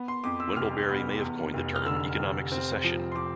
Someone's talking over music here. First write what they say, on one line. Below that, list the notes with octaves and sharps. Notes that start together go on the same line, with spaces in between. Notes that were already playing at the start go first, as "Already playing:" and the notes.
Wendell Berry may have coined the term economic secession.
Already playing: B3
C6
F2 D6
E6
F1 F6
B3
E2
F1
F6
D3 E6
F1
C4
F3
C6
F3 D6